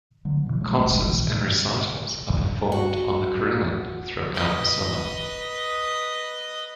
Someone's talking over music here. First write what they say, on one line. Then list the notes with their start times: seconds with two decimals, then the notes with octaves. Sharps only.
Concerts and recitals are performed on the carillon throughout the summer.
0.25 D3 F#3
0.46 B2 D3 E3
0.61 B2 F#3 G#3 A3
0.79 E1 A2 G3
0.90 F#1 C2 G#3
1.07 G#2 B2 D#3 E3
2.72 F#4
4.34 B4 D#5